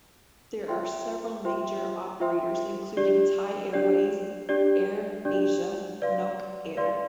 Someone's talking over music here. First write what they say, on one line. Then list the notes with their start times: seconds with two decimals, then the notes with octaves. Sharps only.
There are several major operators including Thai Airways, Air Asia, Nok Air.
0.68 F4 C5 E5 G5 C6
1.45 F4 C5 E5 G5 C6
2.20 F4 C5 E5 G5 C6
2.97 D4 G4 D5
3.73 D4 G4 D5
4.49 D4 G4 D5
5.25 D4 G4 D5
6.02 B4 D5 F5 C6
6.77 B4 D5 F5 C6